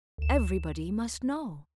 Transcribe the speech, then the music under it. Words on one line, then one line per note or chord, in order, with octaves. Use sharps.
Everybody must know.
D2 E7